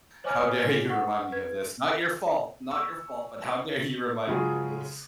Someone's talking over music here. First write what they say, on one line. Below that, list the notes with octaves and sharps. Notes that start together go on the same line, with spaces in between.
"How dare you remind me of this? Not your fault. Not your fault, but how dare you remind me of this?"
C5 C#5 D#5 G#5 D6 F6
F#5 C#6
B4 G#6
C#6 E6
C#3 F3 F#3 G#3 G#4